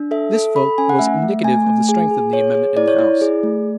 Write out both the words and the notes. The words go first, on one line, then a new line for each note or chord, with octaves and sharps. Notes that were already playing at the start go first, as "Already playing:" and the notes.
This vote was indicative of the strength of the amendment in the House.
Already playing: D4
A4 E5
A4
A4 B5
C#4 G#5
F#5
A3 E5
A3
A3 G#5
A3
G#4 G#5
G#4
G#4 C#5
G#4
E4 D5
C#5
E4 D5
G#4
A3